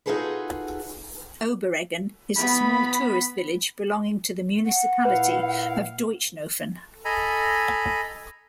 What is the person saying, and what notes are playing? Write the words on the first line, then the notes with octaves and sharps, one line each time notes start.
Obereggen is a small tourist village belonging to the municipality of Deutschnofen.
D#4 F4 F#4 G#4 A4 B4
B3 B5
F#5
A#2 E4 B4 F5
A4 D#5 G#5 A#5 B5